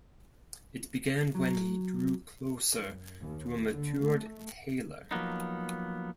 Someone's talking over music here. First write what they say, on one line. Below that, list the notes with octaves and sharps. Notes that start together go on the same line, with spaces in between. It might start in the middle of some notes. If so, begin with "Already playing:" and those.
It began when he grew closer to a matured Taylor.
F#3
F#2
D#2
D3
A3
F3 F#3 A#3 B3 D#4